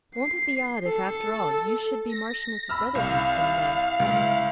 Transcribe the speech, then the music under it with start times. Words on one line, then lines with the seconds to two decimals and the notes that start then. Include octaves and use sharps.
Won't it be odd, if after all, you should be Marchioness of Brotherton some day?
0.15 C7
0.87 A4
2.10 A#6
2.69 B5 E6 F6
2.95 C2 F5
4.00 C#2 E4